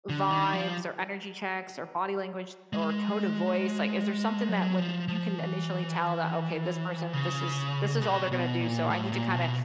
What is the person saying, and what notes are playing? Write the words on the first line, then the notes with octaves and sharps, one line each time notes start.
vibes or energy checks, or body language, or tone of voice? Like, is there something that when you can initially tell that, "Okay, this person, this is this is all they're gonna do, so, I need to kinda
D3
D#3
F3
G#3
F#3
F3
F3
E3
C#3
B2
B2
A#2
A2
A#2
B2